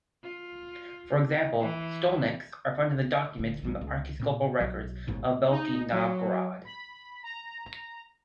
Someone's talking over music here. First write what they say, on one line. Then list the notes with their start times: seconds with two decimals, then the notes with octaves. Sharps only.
For example, "stolniks" are found in documents from the archiepiscopal records in Veliky Novgorod.
0.23 F4
1.60 E3
3.38 D#1 D2
3.63 A#1 D#2 G3
3.81 C#2
4.19 A#2 C4
4.60 B1 F#3
5.07 G#1 D#2 G#2 B2
5.51 D#4
5.92 F#3
6.65 B5
7.23 A#5